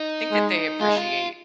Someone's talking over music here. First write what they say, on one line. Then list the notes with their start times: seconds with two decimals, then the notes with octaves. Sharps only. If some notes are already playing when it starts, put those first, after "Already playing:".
think that they appreciate
Already playing: D#4
0.32 G#3
0.81 G#3 F4
0.88 D#4
0.96 F4